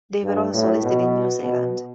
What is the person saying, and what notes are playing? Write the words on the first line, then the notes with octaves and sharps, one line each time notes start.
They were also listed in New Zealand.
G2
A2
B2
B2